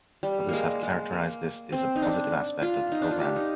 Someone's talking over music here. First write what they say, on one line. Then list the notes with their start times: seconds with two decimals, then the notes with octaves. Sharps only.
Others have characterized this is a positive aspect of the program.
0.23 G3
0.49 G#3 A#3
0.83 G#3
1.13 A#3
1.72 C4
1.96 D#4
2.02 D4
2.62 F4
2.92 D#4
3.02 D4
3.11 F4
3.21 G4
3.36 D#4